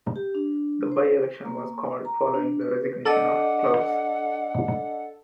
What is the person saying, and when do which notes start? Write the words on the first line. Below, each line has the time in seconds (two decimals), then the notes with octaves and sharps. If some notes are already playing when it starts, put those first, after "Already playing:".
The by-election was called following the resignation of Cllrs.
0.16 G4
0.35 D4
0.92 C5
1.45 A#3
2.05 A#5
2.34 D4
2.61 B4
3.05 D4 A4 D5 D#5 F#5